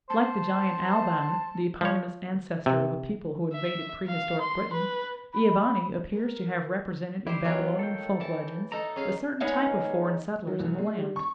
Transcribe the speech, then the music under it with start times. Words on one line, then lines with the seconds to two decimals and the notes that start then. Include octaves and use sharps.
Like the giant Alban, the eponymous ancestor of a people who invaded prehistoric Britain, Ea-bani appears to have represented in Babylonian folk legends a certain type of foreign settlers in the land.
0.10 C5 A5
1.81 F3 C#5
2.66 C3
3.53 E5
4.07 F5
4.41 C6
4.73 B4
5.34 B5
6.14 A#4
7.27 G3 E4 C5
7.44 D#3 F#3 B3 F4 C#5
7.79 A4 G5
8.20 E3 A5
8.72 D#4 A4 A#5
8.96 C#4 G#4 F5
9.40 G#3 B3 C#4 D#4
10.47 F#3
10.59 C2
10.78 G#3
10.98 G3
11.16 C#6